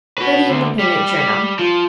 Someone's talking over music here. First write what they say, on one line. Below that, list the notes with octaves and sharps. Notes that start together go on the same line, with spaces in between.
For the Independent Journal.
F#4 B4
D2
G3
F3